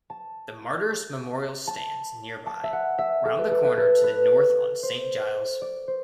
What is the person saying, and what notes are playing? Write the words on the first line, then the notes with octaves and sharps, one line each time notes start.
The Martyrs' Memorial stands nearby, round the corner to the North on Saint Giles.
A5
A5
A5
E5
F#5
E5
A4
B4
A4
B4
A4
B4
C5
D5
C5